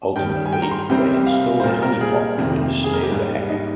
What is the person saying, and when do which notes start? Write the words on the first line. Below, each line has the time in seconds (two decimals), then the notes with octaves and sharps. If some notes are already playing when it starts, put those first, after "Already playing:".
Ultimately, they installed a honeypot to ensnare the hacker.
0.16 G2 D#3 G3 G5
0.46 G#5
0.53 G5
0.62 A#5
0.71 C6
0.89 C2 C3 G3 C4 G5
1.27 F5
1.60 C5
1.63 A#2 G3 A#3 A#4
1.82 A#4
2.01 G#4
2.38 F2 C3 D#3 A#3
2.84 G#4
2.93 A#4
3.03 G4
3.12 G#2 G3 A#3
3.49 D#4